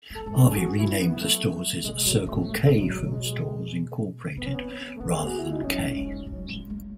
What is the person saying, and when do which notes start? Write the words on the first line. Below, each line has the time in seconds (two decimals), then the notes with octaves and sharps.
Hervey renamed the stores as "Circle K Food Stores, Incorporated" rather than "Kay".
0.10 A3 A4
0.26 G#3
0.36 A4
0.41 E3
0.50 G#4
0.57 F#3 F#4
0.78 E4
1.00 B3
1.20 A3
1.84 B2 G#3
2.05 A2 F#3
2.26 G#2 A3
2.47 A2 A3
2.63 B2 G#3
2.78 A2 F#3
2.95 B2 F#3
3.11 G#3
4.37 D#3 B3
4.46 C#4
4.54 B3
4.96 A3
5.00 E3 B3
5.15 G#4
5.27 F#4
5.39 E4
5.52 D#4
5.63 F#3 C#4
5.79 G#3
5.96 A3
6.12 F#3
6.27 F#3
6.49 G#3
6.70 A3